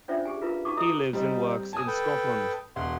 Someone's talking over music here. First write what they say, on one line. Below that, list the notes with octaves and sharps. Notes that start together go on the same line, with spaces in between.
He lives and works in Scotland.
C#4 D4 F4 C5 D5 E5
G4 G#4 G#5
E4 F4 A#4 B4 F5
D#4 F#4 A5 C#6 D6
A4 D#5 A#5 D#6
G3 C4 D#4
G#5 A5 D#6
A4 B4 G5
E1 F#5 C6